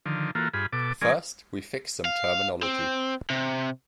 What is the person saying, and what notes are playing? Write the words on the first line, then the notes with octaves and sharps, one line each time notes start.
First, we fix some terminology.
D3 D#3 F3
E3 A#3 F4 F#4 A4
G2 F4 G#4 B5
B2 A4 D6
F3 G#3 C#4 G#4 A#4 D5
F5
C4
C3